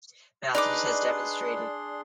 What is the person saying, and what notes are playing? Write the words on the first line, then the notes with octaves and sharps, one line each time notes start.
Matthews has demonstrated.
D4 D#4 G#4 B4 D5 C6 D6